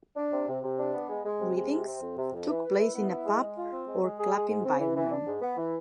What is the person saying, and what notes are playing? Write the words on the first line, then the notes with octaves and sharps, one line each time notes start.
Readings took place in a pub or club environment.
D4
C3
C3
C3
D4
B3
G#3
G#3
C3
G#3
C3
C4
F2
C3
F2
E3
B4
E4
B3
E4
G#3
G#3
F4
C4
G#3
G#3
G#4
G#3
G#2
C4
E3
E3
D4
G#2
B3
E3